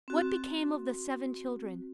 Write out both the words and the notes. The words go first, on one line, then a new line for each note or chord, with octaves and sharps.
What became of the seven children?
C4 F#4